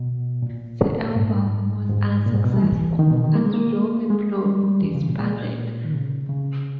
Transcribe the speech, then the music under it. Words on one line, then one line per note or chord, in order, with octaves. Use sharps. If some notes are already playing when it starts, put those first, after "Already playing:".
The album was unsuccessful, and Ruby Blue disbanded.
Already playing: B2
A#2
A#2
G#2
G#2
A#2
G#2
B2
G3
E3
D#3
B2
D#3
A#3
G#3
A#3
G#3
G3
G3
E3
C#3
A#2
A#2
D#3
C#3
C#3